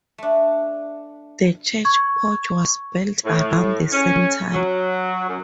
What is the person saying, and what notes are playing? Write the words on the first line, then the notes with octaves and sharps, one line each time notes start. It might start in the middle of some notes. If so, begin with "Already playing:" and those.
The church porch was built around the same time.
A3 D4
C#6 G#6
A2
C#4
F#3
F#2